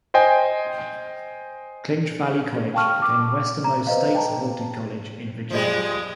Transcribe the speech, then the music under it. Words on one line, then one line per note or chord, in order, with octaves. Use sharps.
Clinch Valley College became the westernmost state-supported college in Virginia.
C5 D#5 G5 G#5
F5 G5 A5 C#6 F6
D6
A#5
B4 C5 D#5 F5
G5 A5 A#5
F3 G3 G#3